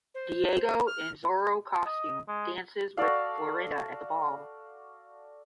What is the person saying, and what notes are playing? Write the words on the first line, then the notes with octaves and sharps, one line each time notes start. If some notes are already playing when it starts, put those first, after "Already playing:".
Diego, in Zorro costume, dances with Florinda at the ball.
C5
F6
D#5
G#3
F#4 A4 D5 F5